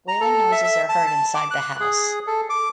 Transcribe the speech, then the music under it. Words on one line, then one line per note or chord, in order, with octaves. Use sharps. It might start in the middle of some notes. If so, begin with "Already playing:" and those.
Wailing noises are heard inside the house.
A#5
A4
E5
E5
A5
A5
D6
F#6
G#4
A4
D6